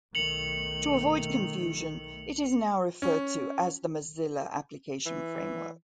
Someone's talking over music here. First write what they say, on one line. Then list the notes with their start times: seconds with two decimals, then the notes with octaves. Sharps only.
To avoid confusion, it is now referred to as the Mozilla application framework.
0.15 B1 D#3 A3 C#7 F7 F#7
3.02 C#4
5.06 E3